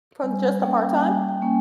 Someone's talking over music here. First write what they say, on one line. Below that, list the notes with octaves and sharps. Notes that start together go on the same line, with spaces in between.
From just a part-time? uh
G3 G#5
A#3 C#4 G5
G3 G#5
G5
A#3 C#4